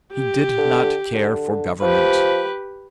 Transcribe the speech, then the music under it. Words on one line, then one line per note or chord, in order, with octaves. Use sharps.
He did not care for government.
G4
D3
D3
F3 G4 B4